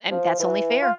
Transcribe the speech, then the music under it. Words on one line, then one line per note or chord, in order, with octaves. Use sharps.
And, that's only fair.
F3
E3
F4